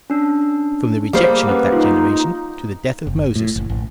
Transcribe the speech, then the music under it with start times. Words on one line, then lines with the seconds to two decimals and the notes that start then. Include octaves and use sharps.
From The Rejection Of That Generation To The Death Of Moses.
0.10 C#4 D4
1.13 G3 A#3 G#4 C5
1.47 C#4 B4 F#5
1.72 D#4 F4
3.07 F#1
3.35 A2
3.56 F#1
3.69 A1